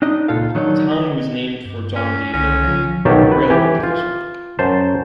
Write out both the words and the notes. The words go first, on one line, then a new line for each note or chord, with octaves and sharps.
The town was named for John D. Milliken, a railroad official.
D4 D#4 D#5
C#2 A#2 F4 A4 F5
D#3 F#3 D4 D#4
D#5
G2
C#4
C2 D3 D#3 C#4
C#3 F3 F4
B1 D#3 F#3 G4 C#5 A5
B4
E3 G4 G#5
F4
F#2 C5 A5